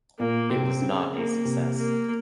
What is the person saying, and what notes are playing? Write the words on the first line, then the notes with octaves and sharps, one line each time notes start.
It was not a success.
A#2 A#3
C3 C4
C#3
A#3
C3
A#3